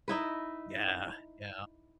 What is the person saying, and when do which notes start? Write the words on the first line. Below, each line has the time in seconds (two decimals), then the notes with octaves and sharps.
Yeah, yeah,
0.08 D#4 E4 B4